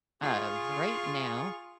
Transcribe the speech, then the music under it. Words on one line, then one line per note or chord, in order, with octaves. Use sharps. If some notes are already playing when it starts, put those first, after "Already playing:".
Uh, right now
F4 G#4 C#6